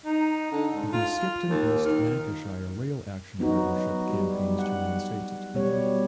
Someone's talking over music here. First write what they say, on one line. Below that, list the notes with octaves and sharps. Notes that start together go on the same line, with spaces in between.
The Skipton-East Lancashire Rail Action Partnership campaigns to reinstate it.
D#4
D3
G#2
F4
D#2
D#3
F#3 B3 D#4 F#4
G3
F#5
B2 G3 C#5